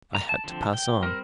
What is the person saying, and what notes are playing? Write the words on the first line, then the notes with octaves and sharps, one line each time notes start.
I had to pass on.
A#5
A5
D3 F3 C4
G5
G3 C4 A#4